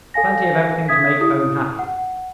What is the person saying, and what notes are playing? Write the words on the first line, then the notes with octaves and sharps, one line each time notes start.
Plenty of everything to make home happy.
A4 F5 G#5 A#6
E5 D#6 G#6 B6
E4 G4 D#6
F#5